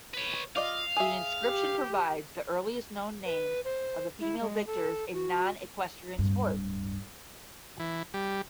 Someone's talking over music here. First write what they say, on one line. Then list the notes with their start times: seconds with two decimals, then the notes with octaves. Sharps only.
The inscription provides the earliest known names of females victors in non equestrian sports.
0.14 B4 C#5
0.56 F4 D5 D#5 F5
0.96 G#4 E5
1.44 G4
3.25 B4
3.65 C5
4.20 E4
4.41 G#3
4.67 A4
5.14 F#4
6.19 D1 G2
7.80 E3
8.14 G3